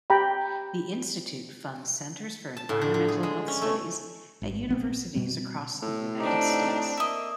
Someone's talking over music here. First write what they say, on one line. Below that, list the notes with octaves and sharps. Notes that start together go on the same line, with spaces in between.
The Institute funds centers for environmental health studies at universities across the United States.
G4 G5 A#5 B5
A5
A2
D3
D3
G#4
G#3
C#4
A3
G#1
A#1 B3 C4
B2 G3 C4
A2
C4 D4 D#4 G4
A#3 D#5 E5